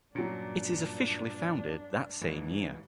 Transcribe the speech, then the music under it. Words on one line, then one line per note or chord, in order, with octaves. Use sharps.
It is officially founded that same year.
G2 A#2 F#3 C#4 D4
G#2 E3